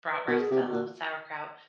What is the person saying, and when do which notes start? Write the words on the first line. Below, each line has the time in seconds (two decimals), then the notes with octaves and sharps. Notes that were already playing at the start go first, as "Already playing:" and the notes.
bratwurst. I love sauerkraut.
0.11 B4
0.28 B2 A#4
0.39 G#4
0.51 C3 G4
0.61 B2 F#4
0.73 A#2